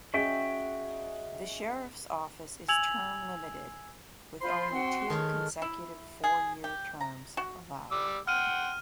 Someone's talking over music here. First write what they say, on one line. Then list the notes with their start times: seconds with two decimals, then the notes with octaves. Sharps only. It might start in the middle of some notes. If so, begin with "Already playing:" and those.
The Sheriff's office is term limited with only two consecutive four year terms allowed.
0.14 C#4 F#4 G#4 D#5 E5 G5
2.68 G#5 E6 G#6 F7 F#7
4.41 F4 C5 B5 C6
4.71 C4 F#4 G5
5.10 D#3 G#3 A4 C#5 F6
5.62 E4
6.24 G#4
6.64 G4
7.01 A#5
7.37 F#4
7.91 G3 D6 E6
8.27 F#5 G5 C6 F6 D#7